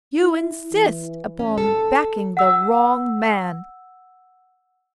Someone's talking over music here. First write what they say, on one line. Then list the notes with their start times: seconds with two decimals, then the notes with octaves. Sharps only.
You insist upon backing the wrong man.
0.21 E4
0.72 E3
1.39 C#4
1.58 A4
2.37 F#5 E6